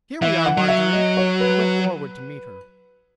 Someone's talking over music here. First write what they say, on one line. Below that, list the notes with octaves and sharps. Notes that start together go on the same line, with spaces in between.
"Here we are, Marjorie." He went forward to meet her.
E3 E5
F#5
F#3
E5
D#5
C#5
B4